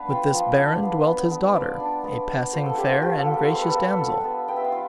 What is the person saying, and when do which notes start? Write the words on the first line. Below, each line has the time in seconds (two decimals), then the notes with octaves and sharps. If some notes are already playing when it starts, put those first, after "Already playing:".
With this baron dwelt his daughter, a passing fair and gracious damsel.
Already playing: B3 D4 B4 F5
0.09 F4 G5
0.34 F3
0.58 D4 F5
0.83 B3
1.06 B3
1.31 B3
1.56 F4 D5
1.80 D4
2.04 B3
2.29 B3
2.53 F4 C5
2.66 A4
2.77 D4 G4
2.90 F4
3.02 F4 G4
3.18 A4
3.26 B3
3.34 A4
3.51 B3 C5
3.59 B4
3.67 A4
3.75 F4 B4
3.99 F4
4.24 B3
4.48 B3 G5
4.57 E5
4.65 F5
4.72 F4